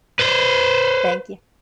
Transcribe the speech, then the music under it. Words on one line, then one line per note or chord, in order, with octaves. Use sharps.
thank you.
B4 C5